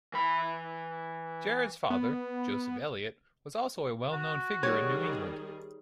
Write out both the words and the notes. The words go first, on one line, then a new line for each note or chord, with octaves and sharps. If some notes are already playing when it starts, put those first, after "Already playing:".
Jared's father, Joseph Eliot, was also a well-known figure in New England.
E3 B5
B3
F#4
D#3 G3 G#4 C#5